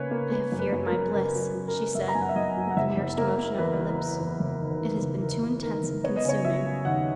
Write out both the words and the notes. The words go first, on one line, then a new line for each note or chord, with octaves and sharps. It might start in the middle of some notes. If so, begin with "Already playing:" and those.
"I have feared my bliss," she said, with the merest motion of her lips. "It has been too intense and consuming."
Already playing: C#3 A#3 B4 C#5
A#3
A#3 B4
F#2
B4
F#2
A#4
F#2
C#3 A#4
F#3
A#4
F#3
A#4
C#3
F#2 E5
A#5
F#2 G#5
F#5
E5
F#2 D#5
F#3
F#5
F#1 E5
F#1
A#3 A#4
A#3
E2 B4
E2
A#3
E2
F#1
D#3
E2
F#1
E2 A#4
E2
D#3 A#4
F#1
B3 C#5
D#5
C#3 C#5
F#3 E5
C#3
D#2 F#5